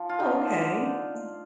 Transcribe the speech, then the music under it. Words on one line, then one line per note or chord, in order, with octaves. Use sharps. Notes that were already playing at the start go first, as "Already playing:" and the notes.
Oh, okay. Um
Already playing: F3
F4
D3 D#4
D3